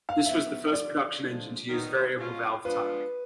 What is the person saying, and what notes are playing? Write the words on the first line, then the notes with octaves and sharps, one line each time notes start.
This was the first production engine to use variable valve timing.
F5
F#2 D#3 F#3 B3 E5
G2 D3 F3 D5
D3 F3 G#3
D#3 F#3 B3 D#4
B2 G#3 C#4 F4
F3 G#3 B3 D4 F4 B4